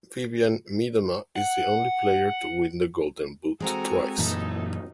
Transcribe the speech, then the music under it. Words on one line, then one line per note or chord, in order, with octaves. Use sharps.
Vivianne Miedema is the only player to win the Golden Boot twice.
F#5
G#3 C4 F#4 A4 G#5 A#5
F#2 A#2 E3 D#4 E4 A4